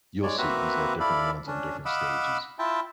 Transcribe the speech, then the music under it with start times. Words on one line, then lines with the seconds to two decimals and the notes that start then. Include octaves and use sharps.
You'll see, he's got different ones on different stages.
0.23 G#3 C#5 D5
0.38 A#3 C4 F#4 B4 E5 A#5
1.00 E4 A4 D5 F5 B5
1.47 C#4 D4
1.85 D#5 F5 F#5 B5 D6 E6
2.59 E4 F4 E5 G5 A5